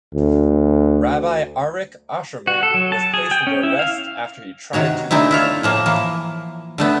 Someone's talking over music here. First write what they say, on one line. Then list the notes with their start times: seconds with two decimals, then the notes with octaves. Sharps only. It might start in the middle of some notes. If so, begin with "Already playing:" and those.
Rabbi Arik Ascherman was placed under arrest after he tried to intervene.
0.14 D2
2.47 F#4
2.63 A4
2.74 F#3
2.92 A5
3.14 G#4
3.31 G5
3.47 C#4
3.63 E4
3.79 F5
4.73 C3 D#3 F#4 C#5
5.11 D3 A3 C4 D#4 E4
5.31 E4 F4 C#5
5.63 A2 F3 A#3
5.86 E3 F3 A#3
6.78 D3 A3 B3